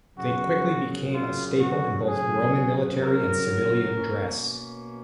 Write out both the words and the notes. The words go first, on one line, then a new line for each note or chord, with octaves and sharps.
They quickly became a staple in both Roman military and civilian dress.
F#2 C#3 F#3 F#4
F4
F#4
G#4
A#4
B2 A#3 C#4